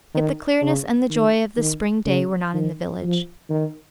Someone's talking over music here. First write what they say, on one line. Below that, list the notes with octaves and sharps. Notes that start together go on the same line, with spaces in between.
Yet the clearness and the joy of the spring day were not in the village.
D#3
C#3
D#3
D#3
C#3
D#3
F3
D#3